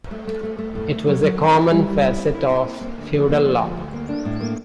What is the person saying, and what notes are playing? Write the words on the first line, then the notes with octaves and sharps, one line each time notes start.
It was a common facet of feudal law.
A3
A3
A3
A3
A2
A3
F#3
F#3
C4
E4
G3
G3
E4
C4
E4
C4
A#3
A#3
D2
F3
A#3
F3
D2
D2
A#3
D4
A2
A#3